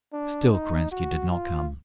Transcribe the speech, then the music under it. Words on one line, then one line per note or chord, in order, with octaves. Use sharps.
Still Kerensky did not come...
D4
D#4
F#4
F4